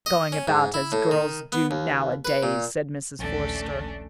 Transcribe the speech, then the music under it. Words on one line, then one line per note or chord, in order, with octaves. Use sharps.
"Going about as girls do nowadays--" said Mrs. Forster.
D#5
C#4
G#2
E4
A2
D#3
B3
D#2
B4
A#2
A#1 D#2 A3 C#4 D4